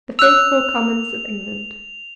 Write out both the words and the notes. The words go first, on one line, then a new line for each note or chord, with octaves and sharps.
"The faithful Commons of England."
E6 F#6 F7